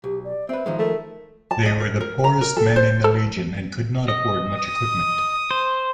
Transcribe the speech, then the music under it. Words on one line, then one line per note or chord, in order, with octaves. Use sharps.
They were the poorest men in the legion, and could not afford much equipment.
B1 G4
D5
C4 B4 E5
D#3 F3 G#3
A3 A#4
A5
D#5
A#4
A#4
A#5
A#4
A4
C5
A4
D#5
D#6
C5